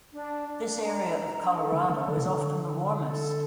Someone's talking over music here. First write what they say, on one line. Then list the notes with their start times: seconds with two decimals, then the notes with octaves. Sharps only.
This area of Colorado is often the warmest.
0.13 D4
0.47 D4
0.84 A#5
1.19 D4
1.55 A4
1.72 D3
1.90 D3 D4
2.08 D3
2.17 C3
2.25 D3 A4
2.60 D4
2.96 A4